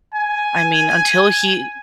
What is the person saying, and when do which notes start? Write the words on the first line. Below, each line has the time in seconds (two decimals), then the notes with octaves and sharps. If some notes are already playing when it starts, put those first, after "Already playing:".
I mean, until he,
0.14 G#5